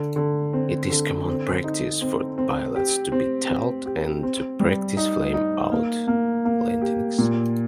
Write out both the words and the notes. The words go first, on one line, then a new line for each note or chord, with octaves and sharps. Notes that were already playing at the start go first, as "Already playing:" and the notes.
It is common practice for pilots to be taught and to practice flameout landings.
Already playing: D3
D3
C4
D3
C4
D#4
C4
C4
G4
C4
C4
G4
C4
G3
D#4
D#4
A#3
A#3
A#3
G4
A#2